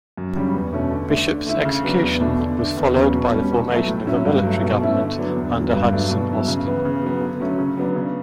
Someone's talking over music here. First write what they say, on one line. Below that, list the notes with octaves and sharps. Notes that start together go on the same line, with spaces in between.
Bishop's execution was followed by the formation of a military government under Hudson Austin.
F#2
C#3 G3 C#4
E2
B2 A3 C#4
D3
A3 D4
D3
A3 E4
C#3
F#3 B3 D4
E2
B2 A3 D4
D3
A3 D4
E2
C#3 F#3 C#4
B2
G3 C#4
B2
F#3 A3
A2
F#3 C#4 E4
G2
F#3 A3
B2
A3 C#4 E4
D3
F#3 B3 D4
E2
D3 F#3
G2
F#3 A3 D4
B2
F#3 B3 E4
C#3
E3 B3
C#3
F#3 B3
D3
F#3 A3 C#4
C#3
F#3 B3 D4
C#3